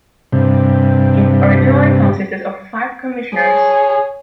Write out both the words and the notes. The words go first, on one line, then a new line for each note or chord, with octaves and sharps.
It originally consisted of five commissioners.
G2 C3
G#4 C#5